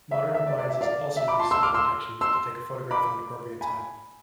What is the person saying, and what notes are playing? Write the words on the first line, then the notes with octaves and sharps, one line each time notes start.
Modern appliances also use smile detection to take a photograph at an appropriate time.
E5
E5
D5
D5
E5
D5 F5
E5
B5 D6
A5 C6
C6 E6
D6 F6
C6 E6
C6 E6
B5 D6
G#5 B5